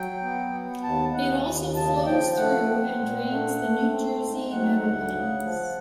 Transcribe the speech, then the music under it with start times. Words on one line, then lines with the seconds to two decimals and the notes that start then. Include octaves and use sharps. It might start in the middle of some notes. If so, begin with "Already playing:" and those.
It also flows through and drains the New Jersey Meadowlands.
Already playing: F#3 G5
0.22 B3
0.53 B3
0.83 D#2 A5
1.14 D#2 F#5
1.44 D#2
1.76 C#3 A5
2.06 F3 G5
2.37 A3 F#5
2.67 C4
2.98 A#2
3.28 A3
3.59 A3
3.90 C4
4.21 G#2
4.51 F#3 F#5
4.81 D2
5.12 C#3
5.42 F3